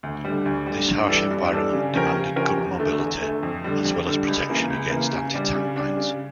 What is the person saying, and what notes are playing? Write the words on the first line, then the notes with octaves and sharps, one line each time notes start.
This harsh environment demanded good mobility as well as protection against anti-tank mines.
D2
D3 G3
D2
D3 G3
G2
E3 G3 D4 A4
G2
E3 G3 D4 A4
C#3
F3 C#4 G4 A#4
C#3
F3 C#4 G4 A#4
E2
D3 A3
E2
D3 A3
F2
D3 G3
F2
D3 G3
C#2
C#3 E3 A#3
C#2
C#3 E3 A#3
C#3
G3 D4
C#3
G3 D4
C#3